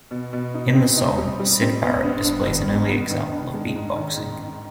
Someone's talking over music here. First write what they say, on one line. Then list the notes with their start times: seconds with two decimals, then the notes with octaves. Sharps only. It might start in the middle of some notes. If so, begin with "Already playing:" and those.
In the song, Syd Barrett displays an early example of beatboxing.
0.11 B2
0.33 B2
0.54 D#4
0.75 C4
0.97 D#4
1.18 G3
1.39 G3
1.61 C4
1.82 B3
2.03 G2
2.24 D4
2.46 D#3
2.68 B3
2.89 B3
3.11 D#3
3.32 D4
3.53 G#3
3.76 G#2
3.96 D#3
4.17 G#2
4.39 G#2